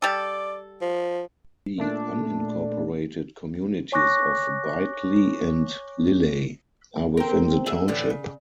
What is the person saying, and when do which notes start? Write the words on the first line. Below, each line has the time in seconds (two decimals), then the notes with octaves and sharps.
The unincorporated communities of Bitely and Lilley are within the township.
0.02 G3 A4 D5
0.81 F3
1.78 A#2 A3 D4
3.92 C#5 G#5 C#6 D6 F#6 A#6
7.17 C4 A#4
7.66 D2 G#4 E5
7.88 A2 D3 E3
8.10 C#3